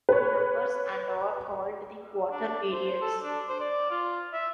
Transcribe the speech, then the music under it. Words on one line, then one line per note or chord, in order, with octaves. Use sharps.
The numbers and are called the quarter periods.
B4 C#5
D4
C5
A4
D4
C5
D5
F4
E5